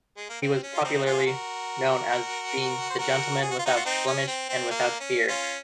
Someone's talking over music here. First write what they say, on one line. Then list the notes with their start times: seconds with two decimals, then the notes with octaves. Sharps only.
He was popularly known as being "The gentleman without blemish and without fear".
0.17 G#3
0.30 A#3
0.42 C4
0.63 C#4
0.74 F4
0.84 C4 D#4
1.05 F4 G#4
1.27 F#4 A#4
2.90 C5
2.99 F#4 A#4
3.42 G#4
3.51 F#4
3.59 F4
3.66 D#4 F#4
3.76 F4
3.85 C4 D#4
4.07 C#4
4.28 C4
4.49 C4
4.71 A#3
5.00 C#4
5.28 C#4 F4